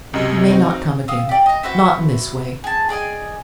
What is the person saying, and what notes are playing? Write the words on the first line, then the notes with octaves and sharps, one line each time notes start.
You may not come again,--not in this way.
C#2 F#2 C3 D#5
C4 D#4 F#4
F5 D#6 E6
G4 D5
D#5 A#5
F#4 B4 C5 E5
G#4 A5
G#4 D5 D#5 G#5